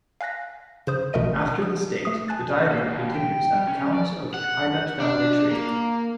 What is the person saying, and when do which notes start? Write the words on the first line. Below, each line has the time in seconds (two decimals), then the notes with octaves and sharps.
After this date, the diagram continues at Counts of Hainaut family tree.
0.21 F5 G#5 F#6 A#6 B6
0.87 C#3 C5 D#6
1.13 A1 B2 A3 A#4 D#5 D#7
1.62 D#6
2.05 A3 D#6
2.28 G#5 A5 F#6 A6
2.72 A#3
2.88 D#2
3.15 G5
3.53 G3
3.68 C#4
3.93 D5
4.34 F#5
5.00 D4
5.50 A#3